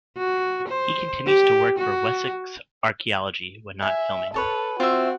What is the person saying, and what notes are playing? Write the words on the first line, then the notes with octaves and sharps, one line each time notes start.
He continues to work for Wessex Archaeology when not filming.
F#4
C5
G4
F#4
E5 G#5
A4 B4 C#5 A5
C4 F4 F#4 E5